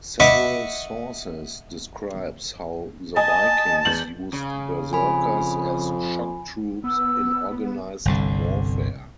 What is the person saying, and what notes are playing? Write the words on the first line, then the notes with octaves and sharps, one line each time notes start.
Several sources describes how the Vikings used berserkers as shock troops in organized warfare.
D#5 E5 F#5 B5 C#6 D6
D#5 G#5 A5
E2 G6 F#7
C#3
F2 G#5 B5
B3 E6
G1 C2 D3